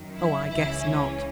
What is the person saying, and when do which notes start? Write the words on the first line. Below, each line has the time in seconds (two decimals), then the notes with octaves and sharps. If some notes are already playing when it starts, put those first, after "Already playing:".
Oh, I guess not.
Already playing: F#2 D#3
0.16 E4
0.47 C#2 C#3 E3 E4
0.78 C#4